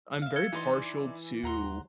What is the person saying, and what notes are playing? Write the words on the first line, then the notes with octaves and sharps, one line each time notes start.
I'm very partial to
E5 F5
G#6 C#7 G7
E3 D#4 D5 C6
D#2 F#4 A#5 C6